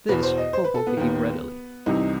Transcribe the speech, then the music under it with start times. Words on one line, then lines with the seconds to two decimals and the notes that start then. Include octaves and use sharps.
This Bobo gave readily.
0.09 E2 B2 B4
0.23 C5
0.38 D#5
0.53 C5
0.64 B4
0.75 A4
0.87 B3
0.97 D#2 D#3 B3
1.86 C2 C3 E3 D#4